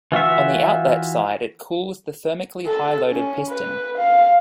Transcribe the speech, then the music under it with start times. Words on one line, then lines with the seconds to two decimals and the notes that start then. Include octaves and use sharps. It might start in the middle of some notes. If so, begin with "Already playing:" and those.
On the outlet side it cools the thermically high loaded piston.
0.12 E3 F4 F#4 E5
2.66 A4
3.11 C#4
3.49 B4
3.98 F5